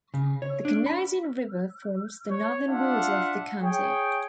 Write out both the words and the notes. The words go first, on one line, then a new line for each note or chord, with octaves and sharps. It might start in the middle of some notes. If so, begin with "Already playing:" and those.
The Canadian River forms the northern border of the county.
C#3
C#5
D4
B5
C#5
D4 F4 E5 F#5
G#4 C#5 G5